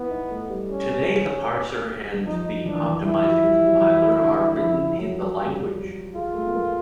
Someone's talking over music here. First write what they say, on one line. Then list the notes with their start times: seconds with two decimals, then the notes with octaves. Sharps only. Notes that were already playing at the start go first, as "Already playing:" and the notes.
Today, the parser and the optimizing compiler are written in the language.
Already playing: B3 E4
0.11 D#4
0.31 A3
0.50 G3
0.70 C#4
2.26 F3 D#4
2.64 E3 D4
2.77 D#3
2.88 E3
3.03 E3 E4
3.23 F3
3.43 G3
3.62 F#3
3.81 E3
4.21 D3
4.59 F3
4.98 F#3
5.37 G3
6.15 G#3 F4
6.34 A3
6.47 B3
6.55 A#3